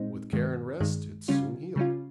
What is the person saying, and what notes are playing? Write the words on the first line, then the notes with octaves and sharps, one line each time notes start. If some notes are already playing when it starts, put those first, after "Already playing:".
With care and rest, it soon healed.
Already playing: A#2 G#3 C4 D#4
G2 D#3 G#3
G2 D#3 G#3
C#3 G3 C#4 F4
C#3 G3 C#4 F4